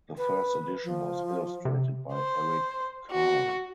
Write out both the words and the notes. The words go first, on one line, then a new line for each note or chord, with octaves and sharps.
The first edition was illustrated by Eric Carle.
B4
F3
C3
C5
F#4